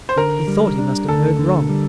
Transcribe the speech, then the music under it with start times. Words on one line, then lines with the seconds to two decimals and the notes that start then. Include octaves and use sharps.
He thought he must have heard wrong.
0.09 C5
0.16 D3 A#4
0.48 G3
0.78 D4
1.09 D2 A4
1.39 D3
1.69 G3